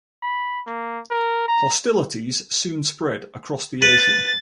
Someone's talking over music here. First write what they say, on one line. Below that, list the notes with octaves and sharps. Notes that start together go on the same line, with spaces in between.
Hostilities soon spread across the ocean.
B5
A#3
A#4
A#5
B4 A6